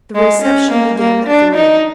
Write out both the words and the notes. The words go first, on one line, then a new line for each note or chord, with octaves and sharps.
The reception began at three.
G#3
C#4
A#3
A#3
D4
D#4